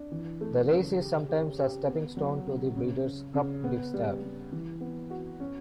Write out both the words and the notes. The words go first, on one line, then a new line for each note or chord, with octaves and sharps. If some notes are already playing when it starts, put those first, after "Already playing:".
The race is sometimes a stepping stone to the Breeders' Cup Distaff.
Already playing: D4
E3
A3
C#3
G4
G4
G4
B3
F#3
C#3
C#3
C#3
C#3
B3
G3
G3
E3
B3
F#4
C#4